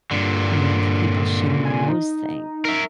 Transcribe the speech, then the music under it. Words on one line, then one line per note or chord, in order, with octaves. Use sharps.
you know, with people sharing those things.
G2 A#2 D3
G#5
D#4
A#4 E5